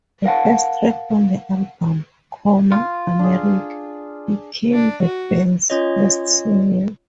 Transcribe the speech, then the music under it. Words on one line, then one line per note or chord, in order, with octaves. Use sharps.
The first track on the album, "Coma America," became the band's first single.
A#4 F5 F#5 A5
F4
D4 G#4
D4
F#4
C#4 F4 C#5 D#5